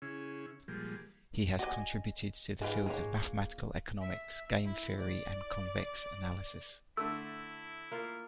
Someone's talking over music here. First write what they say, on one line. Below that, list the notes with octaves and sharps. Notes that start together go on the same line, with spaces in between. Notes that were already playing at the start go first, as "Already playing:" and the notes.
He has contributed to the fields of mathematical economics, game theory, and convex analysis.
C#3 C#4 E4 G#4
A#2 F3 G3 G#3
F#4 D5 D#5 G#5
G#2 G#3 F4 B4 G5
G#3 A#3 C#4 B4 C#5
E5
E4
D5
D3 A3 E4 E6
A#3 F4